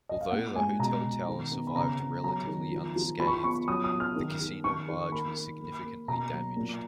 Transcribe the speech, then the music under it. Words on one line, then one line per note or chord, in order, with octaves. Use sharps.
Although the hotel tower survived relatively unscathed, the casino barge was significantly damaged.
D#5
F5
A#2 F#5
G#3 G#5
B2 A#5
B2
D#3
B3
B5
C#3 A#5
B3
F#3 A#5
D#3
F3
F3
F3 B5
C#6
B5
B3 C#6
F#3 D#6
D#6
F#3
F6
D#3
D#3
D#3 C#6
D#3
A#3 B5
A#3
A#3
A#3
B2 A#5
F#3
A#2